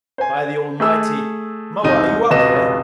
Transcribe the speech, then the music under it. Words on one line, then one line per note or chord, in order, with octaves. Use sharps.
By the Almighty, Moa, are you up there?
C5 G#5
A3 G#4 E6
E1 C2 D#4 D#7
F1 C#2 B2 B3 D#5 E7